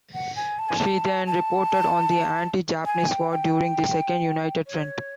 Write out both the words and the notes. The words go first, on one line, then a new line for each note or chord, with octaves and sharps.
She then reported on the Anti-Japanese war during the Second United Front.
F#5
G#5
A5
G#5
A5
A5
G#5
G5
G5
C#5